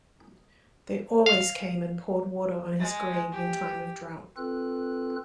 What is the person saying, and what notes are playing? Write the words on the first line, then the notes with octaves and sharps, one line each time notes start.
They always came and poured water on his grave in time of drought.
F5
G#3
G4
C4 F4 A4 B4 F#6